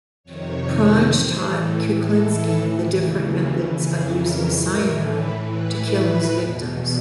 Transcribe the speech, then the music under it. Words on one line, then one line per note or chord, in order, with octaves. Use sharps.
Pronge taught Kuklinski the different methods of using cyanide to kill his victims.
F2 C3 D#3 C#5
A2 E3 C5
A4
A2 E3 A4
D#2 C#3 E3
F2 C#3 E3 G#4
A#4
A2 E3 A#4
B4
A2 E3 B4
E2 B2